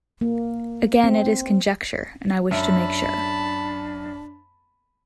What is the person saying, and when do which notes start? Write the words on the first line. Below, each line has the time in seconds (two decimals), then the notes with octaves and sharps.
Again it is conjecture, and I wish to make sure.
0.21 A#3
1.04 C4
2.51 F#2 D4 E5 A5 B5